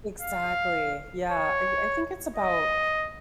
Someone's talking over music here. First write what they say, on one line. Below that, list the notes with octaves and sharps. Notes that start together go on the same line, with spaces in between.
Exactly, yeah, I I think it's about
F5
C#5
D#5